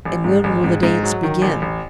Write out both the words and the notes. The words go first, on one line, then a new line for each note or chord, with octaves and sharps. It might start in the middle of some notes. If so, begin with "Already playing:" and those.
"And when will the dance begin?"
A1
G#2
A1
G#2
G#2
F#3
D#3
A1
A1